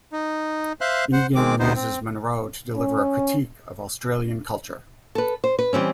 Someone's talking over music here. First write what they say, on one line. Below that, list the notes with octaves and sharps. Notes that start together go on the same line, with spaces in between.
Egan uses Munroe to deliver a critique of Australian culture.
D#4
C5 E5 F5 C6 F#6
C5 F#5
D#3 G#3 C4 D6
D2 C3 B3 D#4 C5
C4
C#4
A4 B4
C5
B4
E3 G3 C4 C#4